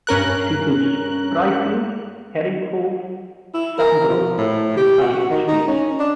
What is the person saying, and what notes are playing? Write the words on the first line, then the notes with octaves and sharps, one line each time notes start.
It includes Spryfield, Herring Cove, Sambro, and Harrietsfield.
G2 C#4 A#4 F#6
E4
A#4
F3
A2
G4
F#4
D#3
D#4
C#4
D4